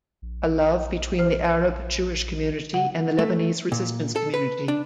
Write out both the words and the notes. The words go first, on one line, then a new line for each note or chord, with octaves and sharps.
A love between the Arab Jewish community and the Lebanese resistance community.
A#1
C5 F6
C#3 F#5
A3
A#2
A4
B4
D4